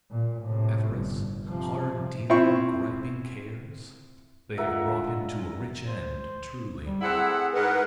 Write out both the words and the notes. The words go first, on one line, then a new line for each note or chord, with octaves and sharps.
Avarice, hard-dealing, griping cares? They have brought him to a rich end, truly!
A#2
A2 C3
G1
C3 F3
C4 E4 F4 C#6
D3 G#3 F4 A#4 E5 F#5
C5
G3
A3 C4 E4 G#4 F#5
G#2 A#4 B4 F#5